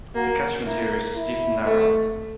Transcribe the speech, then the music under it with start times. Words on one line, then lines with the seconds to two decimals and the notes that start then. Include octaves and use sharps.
The catchment here is steep and narrow.
0.15 A#3 F#4
0.65 A#3 E4
1.15 E4
1.66 A3